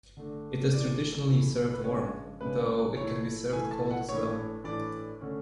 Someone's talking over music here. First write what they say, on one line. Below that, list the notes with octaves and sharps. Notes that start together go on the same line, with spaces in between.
It is traditionally served warm, though it can be served cold as well.
D3 A3 D4
E3 A3 E4 D5
E3 A3 E4
B4
C#3 G#3 D4 C#5
C#3 G#3 D4 B4
E3 A3 E4 C#5
E3 A3 E4 G#5
A5
F#5
A2 E3 A3 D4 C#5
A2 E3 A3 D4 D5
D3 A3 C#4